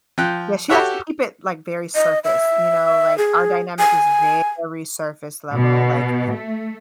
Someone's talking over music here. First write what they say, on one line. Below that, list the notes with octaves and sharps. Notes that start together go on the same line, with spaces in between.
Yeah, she likes to keep it, like, very surface, you know, like, our dynamic is very surface level, like
F3 G5 F#6
F#4 G4 A4 C#5 E5 F#5
D#5
E5
G#4
G#5
B2
A3